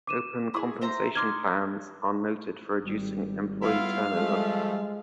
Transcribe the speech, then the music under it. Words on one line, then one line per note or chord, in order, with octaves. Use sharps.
Open compensation plans are noted for reducing employee turnover.
D6 D#7 E7
E4 G#4
C5 E5 A#5
D#4 C6 D6 F6 G#6
G#1 G3
B3 E4 F4 F5
F3 G#3 A3